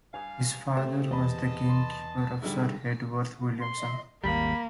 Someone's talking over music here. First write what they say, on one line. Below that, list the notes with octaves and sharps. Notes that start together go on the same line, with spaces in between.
His father was the game keeper of Sir Hedworth Williamson.
G2 F5 G#5
A3 G4 C5
E2 D#5 A5 B5
C6
G#2 D3 G3 B3 E4
C6
G#1 D#2 G3 A#3 B5